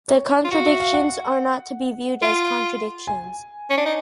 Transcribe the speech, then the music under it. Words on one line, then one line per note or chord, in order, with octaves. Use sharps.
The contradictions are not to be viewed as contradictions.
C#5
F4
F#4 F5
E5
F5
F#5
F4
G#5
C#4
D4
D#4